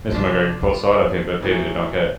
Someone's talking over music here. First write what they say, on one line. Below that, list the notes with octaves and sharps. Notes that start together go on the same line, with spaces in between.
Mr McGregor caught sight of him, but Peter did not care.
C3 F3 D4
D#2
A2 E3 F#3